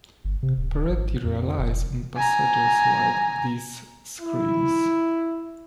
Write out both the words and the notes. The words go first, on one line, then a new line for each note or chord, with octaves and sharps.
Peretti relies on passages like these--Screams!
G1
C3
D1
G#1
F2
F1
G#5 A#5
E4